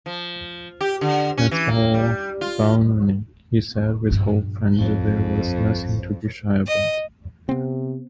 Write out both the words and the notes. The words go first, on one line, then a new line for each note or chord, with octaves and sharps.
That’s all baloney,” he said with hope, “and there was nothing to be shy about.!
F3
G4
D3
C#4
E3
A#3
G3
F4
A#1 G2
F2
D#5
C3 B3 C4